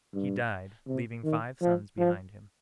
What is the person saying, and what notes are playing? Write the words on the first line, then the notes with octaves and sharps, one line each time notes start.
He died, leaving five sons behind him.
G2
C3
D#3
F3
F3